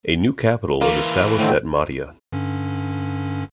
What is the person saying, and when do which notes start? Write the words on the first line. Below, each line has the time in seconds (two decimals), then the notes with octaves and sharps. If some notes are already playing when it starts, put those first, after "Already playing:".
A new capital was established at Mahdia.
0.81 E3 A#3 F4
1.38 A2 D3 D#3 C4
2.32 G2 D3 C#4